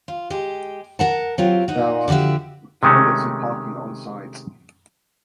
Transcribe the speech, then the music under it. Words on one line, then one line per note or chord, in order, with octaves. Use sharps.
There are toilets and parking onsite.
F4
G#3 G4
A#4 F#5 A5
F#3 C4 F4 G4
D#4 F#4
D3 F3 F#4 G4 E5
C3 D#3 G#3 A3 C#4